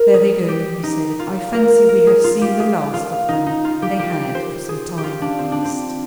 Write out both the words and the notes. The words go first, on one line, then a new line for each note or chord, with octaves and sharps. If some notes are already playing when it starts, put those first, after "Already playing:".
"There they go," he said; "I fancy we have seen the last of them." And they had, for some time at least.
Already playing: A#4
G#4
G4
D#4
F4
A#4
A#4
G#4
F4
G4
G#4
F4
D#4
D#4
F4
G4
G4
C5
G#4
G4
F4
D4
C4
D4
C4